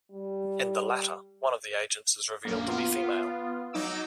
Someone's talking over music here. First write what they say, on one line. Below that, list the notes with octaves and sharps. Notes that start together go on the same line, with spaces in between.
In the latter, one of the agents is revealed to be female.
G3
A#1 F#2 A#3
B3 F4
F#3 D#4 D6 E6